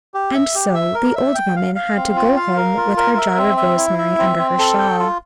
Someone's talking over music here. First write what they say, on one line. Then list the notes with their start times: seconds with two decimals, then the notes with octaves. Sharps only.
And so the old woman had to go home with her jar of rosemary under her shawl.
0.14 G4
0.35 E5
0.55 G4
0.75 E5
0.94 A#4
1.15 E5
1.35 G5
1.56 F5
1.75 F5
1.96 C4
2.16 F4
2.36 F5
2.56 A#4
2.77 F4
2.97 A#4
3.17 E5
3.37 C4
3.57 E5
3.77 E4
3.98 E5
4.18 C4
4.38 C4
4.59 A4
4.78 G5
4.99 F4